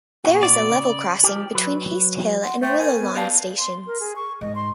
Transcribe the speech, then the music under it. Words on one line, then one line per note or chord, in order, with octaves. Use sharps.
There is a level crossing between Haste Hill and Willow Lawn stations.
A#2 B3 F#4
D5
C#3
F3 G4
F#3 B4
F#5 C6
A3 C5 G5
A#4 G#5
B3
G4 D5 F5 A5
C6
A#4
G#4
C#6
G#2 D#5
C6